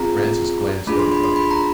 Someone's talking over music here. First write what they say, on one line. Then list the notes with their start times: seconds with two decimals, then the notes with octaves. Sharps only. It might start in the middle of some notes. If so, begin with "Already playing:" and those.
Francis glanced at her husband.
Already playing: C4 F4 G#4 A#5
0.87 A3 D4 F4 G#4 B5
0.99 C6
1.12 B5
1.24 C6
1.36 B5
1.51 A#5